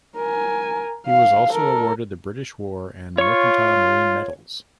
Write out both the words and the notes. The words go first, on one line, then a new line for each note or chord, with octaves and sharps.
He was also awarded the British War and Mercantile Marine Medals.
A#4 G#5
F5
A4 A#4
F4 C#5 C#6